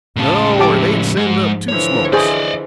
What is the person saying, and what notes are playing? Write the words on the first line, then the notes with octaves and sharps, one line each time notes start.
'No, or they'd send up two smokes.
A2 C#3 F5 A5
F3 G#3 E4 G4 A5 D6
G#2 F3 G#3 D#4
D3 E3 F3 C#5
G#4 C5 D5 D#5